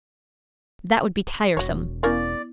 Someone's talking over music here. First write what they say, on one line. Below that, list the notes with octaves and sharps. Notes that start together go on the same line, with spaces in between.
That would be tiresome.
E1 F#4 C#5
B3 C#4 E4 A#4 D5 F5